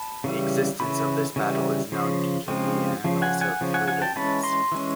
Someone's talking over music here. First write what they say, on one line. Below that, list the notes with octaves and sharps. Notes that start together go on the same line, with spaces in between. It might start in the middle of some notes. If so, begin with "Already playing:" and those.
The existence of this battle is known due to the Annales Fuldenses.
Already playing: A5 B5
C#3 E3 G3
C#3 E3 B5
C#3 E3 G3
C#3 F3
C#3 F3 G#3 C4
C#3 F3
F#5 G#5
F#5 G#5
C#3 F3
F#5 G#5
F#5 G#5
G5 A5
E3 G#3 C#4 A5 B5
A#5 C6
E3 G#3 C#4